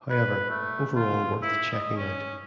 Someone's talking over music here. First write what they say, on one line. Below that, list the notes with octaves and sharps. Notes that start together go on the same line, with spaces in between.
However, overall worth checking out.
B4
A3
F4
E4
D#5
C#4